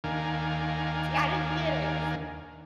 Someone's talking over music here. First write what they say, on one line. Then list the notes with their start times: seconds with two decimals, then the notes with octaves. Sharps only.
See, I didn't get it, so
0.04 D#2 D#3 D4 A#4 F5 G#5